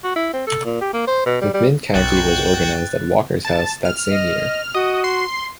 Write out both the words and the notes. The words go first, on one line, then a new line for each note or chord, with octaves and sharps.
McMinn County was organized at Walker's house that same year.
F#4
E4
C4
A4
A#2
G4
A#3
C5
B2
G3
G3
B1 F#4 G5 F#6 A6
A5
F6
D#5
F#4 D#5
C6